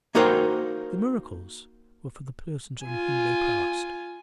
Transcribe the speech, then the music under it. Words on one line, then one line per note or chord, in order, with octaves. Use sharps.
The miracles were for the persons on whom they passed.
A#3 D#4 F#4 A#4 C5 G5
F4 G#5